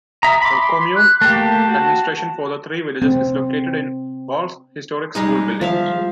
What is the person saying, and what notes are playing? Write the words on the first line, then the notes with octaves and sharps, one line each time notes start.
The commune administration for the three villages is located in Wahl's historic school building.
E5 A#5 D#6
B5 C6 D6
F#6
A3 A#3 G4 A5
F#4
C4
G3 G#3 D#4
F3 E5 F5